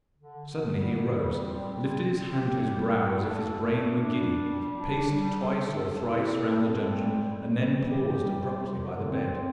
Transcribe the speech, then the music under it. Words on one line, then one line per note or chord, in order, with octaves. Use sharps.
Suddenly he arose, lifted his hand to his brow as if his brain were giddy, paced twice or thrice round the dungeon, and then paused abruptly by the bed.
D3
D3
G3
G3
C4
C4
C4
G4
G3
A2
A4
A3
D4
G3
G3
D4
G3
A4
A4
E4
A4
C4
G3
G3
E3
G4
G3
C3
D3
C4